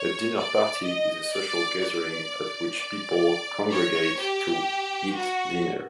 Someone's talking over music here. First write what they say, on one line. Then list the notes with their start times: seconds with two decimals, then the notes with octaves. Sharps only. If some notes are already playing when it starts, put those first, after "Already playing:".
A dinner party is a social gathering at which people congregate to eat dinner.
Already playing: C#5
0.36 D5
0.84 D#5
1.32 D5
1.80 D5
2.76 D5
3.71 C#5
4.19 G4
5.15 F#4